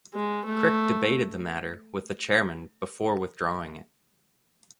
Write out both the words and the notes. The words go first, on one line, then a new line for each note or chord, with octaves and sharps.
Crick debated the matter with the Chairman before withdrawing it.
G#3
A3